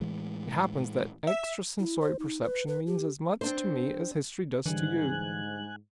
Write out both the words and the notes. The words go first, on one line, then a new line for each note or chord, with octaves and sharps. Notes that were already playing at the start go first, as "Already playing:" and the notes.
It happens that extrasensory perception means as much to me as history does to you.
A2 E3 G#3
E5
E4
C5
D#4
B4
B4
G4
C4 D4 C5
G#2 D3 E3 G3 G#5 F#6